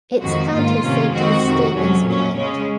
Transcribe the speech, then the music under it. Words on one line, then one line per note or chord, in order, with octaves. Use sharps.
Its county seat is Stevens Point.
F2 D#3 G#3 F#4
G#2 D#3 A#3 F4
C3 D#3 A#3 C#4
F2 D#3 G#3 C4 F#4
F2 C3 D#3
F2 C3 F#3 C#4
A#2 F#3 C#4
C#3 G#3 C#4